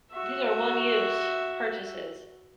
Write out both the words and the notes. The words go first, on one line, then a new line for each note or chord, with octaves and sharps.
these are one-use purchases
F#4 E5